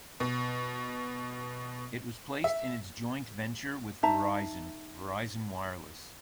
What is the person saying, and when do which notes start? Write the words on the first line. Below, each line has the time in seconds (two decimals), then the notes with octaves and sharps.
It was placed in its joint venture with Verizon, Verizon Wireless.
0.20 B2
2.44 E5
4.03 D#4 E5 A5 A#5